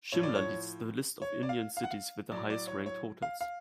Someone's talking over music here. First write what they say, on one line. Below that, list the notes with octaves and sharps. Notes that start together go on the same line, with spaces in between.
Shimla leads the list of Indian cities with the highest ranked hotels.
A2 F3 C#5
D5
C#5
C#5
D5
F5
F5
F#5
F5
A2 F#3 D5
D5
C#5
C#5
F5
F5